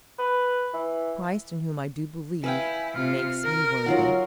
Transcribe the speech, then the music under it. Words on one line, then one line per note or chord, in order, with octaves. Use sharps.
Christ, in whom I do believe, makes me worthy.
B4
E3
E4 B4 F5 G5 G#5
C3 F4 F6
A#4
F#3 D#4 F4 F#5